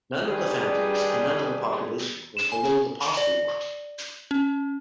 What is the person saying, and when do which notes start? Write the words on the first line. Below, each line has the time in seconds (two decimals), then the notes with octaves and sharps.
None of the families and none of the population were below the poverty line.
0.21 D#3 G3 D4 G4 G#4 B4
2.37 E7
2.52 G#5
3.17 D5
4.31 C#4